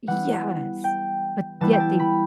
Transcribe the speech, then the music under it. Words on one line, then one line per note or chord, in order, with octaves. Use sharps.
Yes, but yet they
E3 G3 B3 E4 F#5
G5
E3 G3 B3 E4 A5
G5
A5
B5